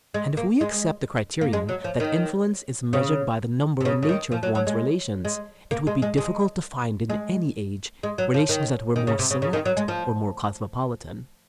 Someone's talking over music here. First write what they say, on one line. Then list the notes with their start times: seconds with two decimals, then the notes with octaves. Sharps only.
And, if we accept the criterion that influence is measured by the number and nature of one's relations, it would be difficult to find in any age relations that were more select or more cosmopolitan.
0.14 G#3
0.37 A#3
0.61 G#3
1.41 A#3
1.53 G#3
1.69 F#3
1.84 F3
2.00 D#3
2.93 C#3
3.81 C3
3.85 C#3
4.03 C#3
4.09 D#3
4.32 F3
4.43 F#3
4.55 F#3
4.67 G#3
5.25 G#3
5.71 A#3
5.87 G#3
6.02 G#3
6.18 G#3
7.10 G#3
8.03 G#3
8.18 F#3
8.34 F3
8.49 D#3
8.96 D#3
9.07 C#3
9.19 C3
9.31 C#3
9.42 C#3
9.53 D#3
9.65 F#3
9.77 G#3
9.88 F3